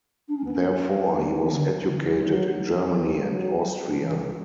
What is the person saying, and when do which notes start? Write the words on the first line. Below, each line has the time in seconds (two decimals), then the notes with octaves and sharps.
Therefore, he was educated in Germany and Austria.
0.28 D4
0.36 C#4
0.44 B3
0.53 C#4
1.17 B3
1.26 G3
1.34 B3
1.43 E3
1.52 D3
1.88 D3
1.99 E3
2.12 F#3
2.19 E3
2.26 F#3
2.84 F#3
2.93 E3
3.19 G3
3.29 F#3
4.00 E3